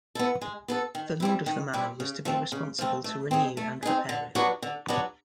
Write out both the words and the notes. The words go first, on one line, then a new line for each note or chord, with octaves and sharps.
The Lord of the Manor was to be responsible to renew and repair it.
B3 E4 A4
G#3
B3 E4 A4
D#3
G3 C4 E4
D#3
G3 C4 E4
C#3
F3 A3 C4
C#3
F3 A3 C4
A3
C4 D#4 G#4
A3
C4 D#4 G#4
D3
F#3 B3 D4 F#4
D3
F#3 B3 D4 F#4